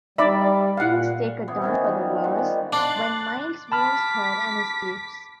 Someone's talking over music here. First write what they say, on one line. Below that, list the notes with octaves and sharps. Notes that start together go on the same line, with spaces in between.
Things take a turn for the worse when Miles wounds her and escapes.
G3 D#4 D5 E5 B5
A#2 F5 F#5
C3 E3 B3
D#3 E3 C#4
D#3 F3 G3
G3 G#3 C#4 F#5
D#3
D4 C6 F#6 A6
A5 B5 D6 F6 B6